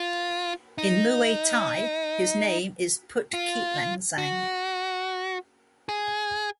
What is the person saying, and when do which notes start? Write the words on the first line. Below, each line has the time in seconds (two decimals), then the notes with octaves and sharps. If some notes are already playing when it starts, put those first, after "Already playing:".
In Muay thai his name is Put Keitlansang.
Already playing: F4
0.78 D#4
3.34 F4
4.18 F#4
5.89 G#4